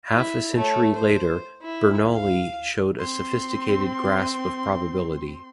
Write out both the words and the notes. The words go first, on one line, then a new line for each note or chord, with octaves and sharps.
Half a century later, Bernoulli showed a sophisticated grasp of probability.
E4
A3 C#5
C5
E4
F5
C4 C6